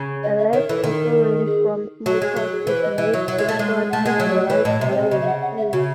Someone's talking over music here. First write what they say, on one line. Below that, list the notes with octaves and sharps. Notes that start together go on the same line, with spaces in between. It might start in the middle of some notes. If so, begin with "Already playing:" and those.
A lad suffering from smallpox is made to squat in a large winnowing sieve.
Already playing: C#3
D#5
E5
D#3 C#5
E3 A4
D#3
A4
G#4
F#3 F#4
G#3 G#4
F#3 A4
G#4
E3 C5
D#5
E3 E5
F#3 E5
F#3 E5
G#3
E5
A3
G#3
F#5
A3
G#3 F#5
F#3
D#5
E3 C#5
A2 D#5
C3 E5
C#5
D#5
C#3 D#5
E5
F#5
F#5
E5
C#3 F#4